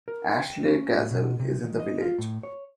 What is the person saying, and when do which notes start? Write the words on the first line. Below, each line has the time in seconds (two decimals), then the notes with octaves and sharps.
Ashley Castle is in the village.
0.08 A#4
0.41 G5
0.65 C#4
0.98 A2
1.11 B2
1.40 C3
1.64 D#3
1.80 D#5
2.01 F4
2.18 A2
2.43 C#5